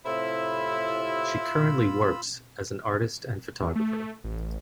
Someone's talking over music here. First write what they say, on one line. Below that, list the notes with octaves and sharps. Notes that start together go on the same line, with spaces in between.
She currently works as an artist and photographer.
A2 C3 E4 F4 B5 E6
E2
A3
A1